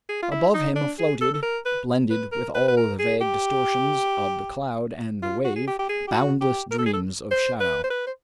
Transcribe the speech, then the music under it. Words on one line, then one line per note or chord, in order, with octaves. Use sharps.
Above him floated, blended with all the vague distortions of the cloud and the wave, boundless dreams of shadow.
G#4
F4
E4
D#4
D4
G#4
A4
A4
A#4
B4
B4
A#4
B4
B4
A#4
G#4
G4
F4
F#4
G#4
G4
G4
G#4
G4
F#4
G4
A#4
A4
G#4
A4
C5
B4
C5
B4
C5